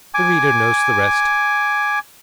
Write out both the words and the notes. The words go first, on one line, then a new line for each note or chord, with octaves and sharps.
The reader knows the rest.
G#5 D6